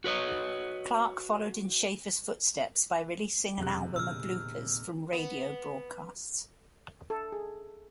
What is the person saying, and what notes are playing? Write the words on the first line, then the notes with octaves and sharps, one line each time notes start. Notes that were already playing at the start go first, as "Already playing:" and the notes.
Clark followed in Schafer's footsteps by releasing an album of bloopers from radio broadcasts.
F#4 B4 C#5 D#5
E1 F2 C3 F#6
A#2 D3 E6 F6
B3
A4
G#4